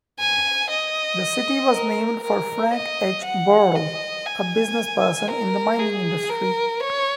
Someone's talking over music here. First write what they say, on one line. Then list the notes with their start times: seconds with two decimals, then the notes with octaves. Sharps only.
The city was named for Frank H. Buhl, a businessperson in the mining industry.
0.19 G#5
0.71 D#5
1.72 A#4
2.23 A#4
2.74 D#5
3.24 F#5
3.75 D#5
4.26 G#5
5.28 A#4
5.79 G#4
6.29 A#4
6.80 C#5